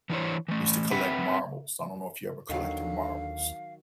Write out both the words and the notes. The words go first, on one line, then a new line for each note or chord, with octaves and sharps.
I used to collect marbles. I don't know if you ever collected marbles,
E3 D4 E4 F#4 C5 C#5
E3 A3
C4 B4 E5 F#5
D#2 D3 D#3 F#3 F5